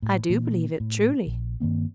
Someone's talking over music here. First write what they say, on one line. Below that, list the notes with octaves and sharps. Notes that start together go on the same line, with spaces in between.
"I do believe it, truly."
A2
A#2 E3
A2
A#1
G2 D#3 A#3 C4